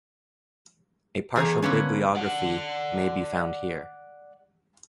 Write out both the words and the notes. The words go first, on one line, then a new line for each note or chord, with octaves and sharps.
A partial bibliography may be found here.
E2 G#4 G#5 A#5
D3 A#3 B3 C#4
D5 F#5